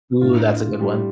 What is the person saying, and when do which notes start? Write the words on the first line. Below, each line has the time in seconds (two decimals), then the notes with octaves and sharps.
Ooh, that's a good one.
0.21 A2 A3 D4 F4
0.80 G3